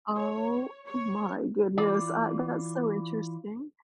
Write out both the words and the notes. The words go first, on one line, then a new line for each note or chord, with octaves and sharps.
Oh my goodness. I that's so interesting.
C#5
C#5
E3 F4 D5